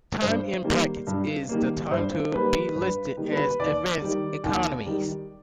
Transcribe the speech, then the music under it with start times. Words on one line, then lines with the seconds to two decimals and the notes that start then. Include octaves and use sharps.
Time in brackets is the time to be listed as advanced economies.
0.22 G2 C5
0.64 D#3 G3 A#3
1.07 G2
1.49 D#3 G3 A#3
1.91 G2 C5
2.33 D#3 G3 A#3 B4
2.75 G2 B4
3.17 D#3 G3 A#3
3.32 B4
3.59 D#2 D5
4.02 D#3 G3
4.44 D#2
4.86 D#3 G3